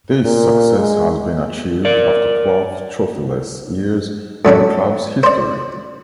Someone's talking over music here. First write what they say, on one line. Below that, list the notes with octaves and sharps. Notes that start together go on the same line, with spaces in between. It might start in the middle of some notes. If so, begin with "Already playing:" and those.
This success has been achieved after twelve trophyless years in the club's history.
A#2
G#3
A#4 D5
A2 F#3 C#4 D4
C5 D5